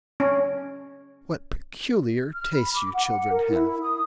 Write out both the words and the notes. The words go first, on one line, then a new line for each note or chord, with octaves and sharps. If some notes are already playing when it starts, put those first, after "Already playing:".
"What peculiar tastes you children have!"
C#4
F6
B5
D6
F#5
F#5
A#4
E4
D#6